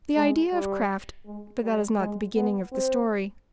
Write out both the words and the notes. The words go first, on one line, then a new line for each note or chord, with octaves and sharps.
The idea of Kraft--but that is not the beginning of the story.
G#3
G3
G#3
G3
G#3
B3
C4